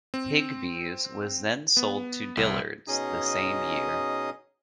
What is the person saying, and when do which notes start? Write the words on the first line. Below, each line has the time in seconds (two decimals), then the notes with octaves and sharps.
Higbee's was then sold to Dillard's the same year.
0.14 C4
1.77 B3
2.37 C2
2.88 B2 C#4 D#4 G#4 D#5 D#6